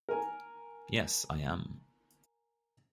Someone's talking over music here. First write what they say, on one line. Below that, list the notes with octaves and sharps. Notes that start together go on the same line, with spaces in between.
Yes, I am.
A#4 G#5